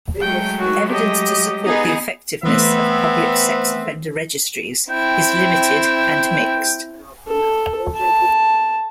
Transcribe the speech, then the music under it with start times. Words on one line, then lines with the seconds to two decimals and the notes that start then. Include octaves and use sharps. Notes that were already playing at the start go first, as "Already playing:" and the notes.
Evidence to support the effectiveness of public sex offender registries is limited and mixed.
0.21 F#3 G#3 A3 G5
0.59 F#4
0.90 G4 D#5
1.65 B3 D#4 G#4
2.43 E3 A3 B3 C4 E5
4.90 C4 E4 G5
7.27 A4
7.97 A5